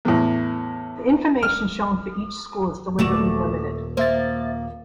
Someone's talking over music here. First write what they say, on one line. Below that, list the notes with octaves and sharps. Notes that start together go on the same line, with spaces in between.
The information shown for each school is deliberately limited.
E2 A2
F6
D#1 A3 F#4 D5 E7
A#3 C5 E5 A6